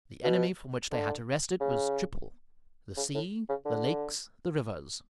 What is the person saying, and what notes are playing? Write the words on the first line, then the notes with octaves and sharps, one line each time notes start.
The enemy from which they had to wrest it was triple: the sea, the lakes, the rivers.
B2
D3
C#3
C#3
A2
C#3
D3